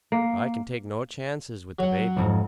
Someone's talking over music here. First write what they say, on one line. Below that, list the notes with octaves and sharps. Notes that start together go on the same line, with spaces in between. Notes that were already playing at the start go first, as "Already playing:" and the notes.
"I can take no chances with the baby."
A#3
F#3 F#5
C2 F2 G#2